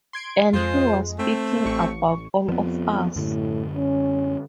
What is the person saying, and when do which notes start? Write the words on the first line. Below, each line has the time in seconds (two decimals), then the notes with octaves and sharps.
And he was speaking about all of us.
0.13 C6 G#6 D7
0.53 F2 G#3 F4 C5
1.19 A3 C4
1.65 A1 C#6
2.49 F2 F3 B3
3.16 F#2 A2 D3
3.76 C#4